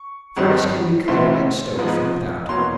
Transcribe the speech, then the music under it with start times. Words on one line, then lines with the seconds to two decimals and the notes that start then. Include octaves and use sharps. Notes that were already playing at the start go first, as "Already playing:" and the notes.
The furnace can be cleaned and stoked from without.
Already playing: C#6
0.37 G#1 G2 D#3 G3 C4
1.08 B1 A2 E3 A3 C4 C6
1.78 G#2 F3 G#3 B3
2.49 E2 B2 F#3 A#3 C#4 C6